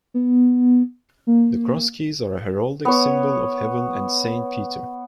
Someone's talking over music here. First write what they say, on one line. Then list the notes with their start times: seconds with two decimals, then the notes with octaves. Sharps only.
The Cross Keys are a heraldic symbol of Heaven and Saint Peter.
0.14 B3
1.27 A#3
2.85 B3 C#5